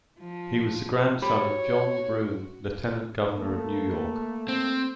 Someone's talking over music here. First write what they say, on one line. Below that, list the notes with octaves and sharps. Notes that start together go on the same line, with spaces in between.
He was the grandson of John Broome, Lieutenant Governor of New York.
F3
F#4 G4 C#5 B5
A3 A#3
C4